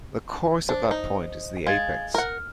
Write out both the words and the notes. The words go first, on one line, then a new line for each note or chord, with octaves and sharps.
The course at that point is the apex.
D4 C5
D#4
G#3 F5 G#6 A6
A#4 F#5 F6